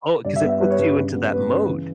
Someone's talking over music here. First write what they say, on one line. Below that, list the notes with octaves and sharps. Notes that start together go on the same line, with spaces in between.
Oh, 'cause it puts you into that mode.
G2 D5
E5
B3
E5
G3 B4
C#5
G2 B4
C#3
B3
B3 B4
C#3
E3